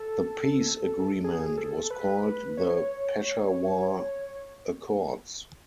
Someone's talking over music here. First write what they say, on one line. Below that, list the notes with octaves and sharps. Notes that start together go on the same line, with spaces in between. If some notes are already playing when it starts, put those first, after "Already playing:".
The peace agreement was called the Peshawar Accords.
Already playing: A4
G#4
A4
B4
C#5